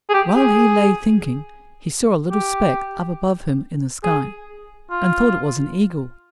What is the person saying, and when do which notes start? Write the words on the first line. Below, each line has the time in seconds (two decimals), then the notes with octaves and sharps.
While he lay thinking, he saw a little speck up above him in the sky, and thought it was an eagle.
0.09 G#4
0.14 G4
0.36 G#4
2.31 G4
4.04 G#4
4.90 F4